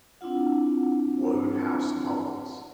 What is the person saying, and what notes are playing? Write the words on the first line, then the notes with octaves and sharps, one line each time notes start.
Wodehouse novels.
C4 D4 E4 F4 F#5